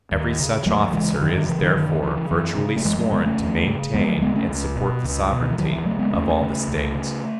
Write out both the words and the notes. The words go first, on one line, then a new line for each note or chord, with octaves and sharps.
Every such officer is, therefore, virtually sworn to maintain and support the sovereignty of all the States.
D#2
C#3
D#2 F#3 A3
C#3 E3 G#3
F#2 D#3 F#3
D#3
C#3 E3
D#3 F#3
F#2 D#3
D#3
C#3 E3
E3
F#2 E3
C#3
A3
F#2 E3 G#3
F#3 A3
C#3 G#3 B3
A3 C#4
D#2
C#3
D#2 G#3 B3
F#3 A3
C#3 G#3 B3
A3 C#4
C#2
B2
C#2
B2
D#3
E3
D#2 D#3 F#3
E3
C#3 F#3 A3
G#3 B3
D#2 A3 C#4
C#3
C#2
C#3